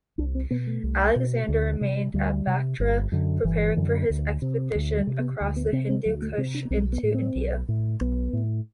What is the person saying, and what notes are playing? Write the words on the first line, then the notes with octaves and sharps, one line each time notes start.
Alexander remained at Bactra, preparing for his expedition across the Hindu-Kush into India.
C2 D4
C4
B2 B3
A3
C2
B2
D2
C3
D2 G3
C3
G1
F#2 D3
G1 E3
F#2 D3
D2
C3
D2
G3
C3
B3
D2
B3
C3 C4
C4
D2 F#3
A3
C3 C4
D4
B3
B1 C4
B3
A2
C4
B1
A2
B1 B3
A2